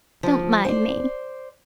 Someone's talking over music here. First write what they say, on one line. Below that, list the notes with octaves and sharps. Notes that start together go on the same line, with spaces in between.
"Don't mind me."
F3
C5 D5